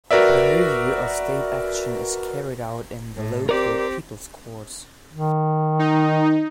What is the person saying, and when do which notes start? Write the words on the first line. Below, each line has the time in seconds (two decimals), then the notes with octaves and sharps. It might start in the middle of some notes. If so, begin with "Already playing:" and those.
The review of state action is carried out in the local people's courts.
0.11 F#4 A#4 B4 D5 E5
3.16 A2
3.49 C4 G4 A#4 D5
5.13 D#3
5.79 D#4